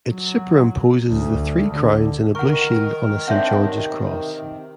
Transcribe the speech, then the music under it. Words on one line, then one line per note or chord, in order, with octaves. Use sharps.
It superimposes the three crowns in a blue shield on a Saint George's cross.
F#3
D2
D3
D#3 A#4 F#5 C#6
C4 D4 C#5 E5 F#5
C3